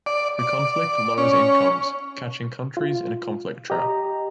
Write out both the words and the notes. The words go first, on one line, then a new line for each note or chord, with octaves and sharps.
The conflict lowers incomes catching countries in a conflict trap.
D5
D5
C#4
F4
G4 D#5 A#5